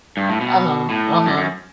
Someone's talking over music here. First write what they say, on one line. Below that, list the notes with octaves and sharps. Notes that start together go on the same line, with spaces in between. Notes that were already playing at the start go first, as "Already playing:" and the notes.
Uh-huh, uh-huh,
G2
A2
B2
A2
F#2
F#2